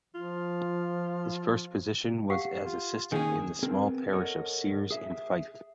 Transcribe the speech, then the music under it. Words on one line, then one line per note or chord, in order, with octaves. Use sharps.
His first position was as assistant in the small parish of Ceres in Fife.
F3 F4
G4 F5 F#5
F4
D#3 A#3 C#4 G#4
B3 C4 G#4 A#4
A4 A#4 C#5 D#5 F#5
G#4 E5